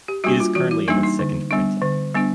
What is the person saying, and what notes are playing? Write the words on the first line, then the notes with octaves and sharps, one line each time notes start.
It is currently in its second printing.
G4
G3 A#3 D4 F#4
F4
E3 F#4
E4
G3 A#3 D4 D#4
D#4
D3
G3 B3 D4
D3
G3 B3 D4